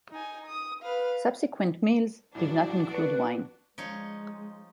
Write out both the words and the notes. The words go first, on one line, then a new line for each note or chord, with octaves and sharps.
Subsequent meals did not include wine.
D#4 G#5
D#6
B4 F5
A2 F#3 D4 F#4 D5
B4 C#6 C#7 D7
F3 G#3 D#4 C#5